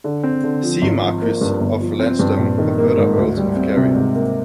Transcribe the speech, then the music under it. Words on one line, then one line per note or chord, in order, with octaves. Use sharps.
"See Marquess of Lansdowne for further Earls of Kerry".
D3
C4
D3
F3
G#1
F3
A#3
G2
G1
F3
C4
G2
A#1
D#3
A#3
G#2
D2
G3
C4
C3
G#2
A#3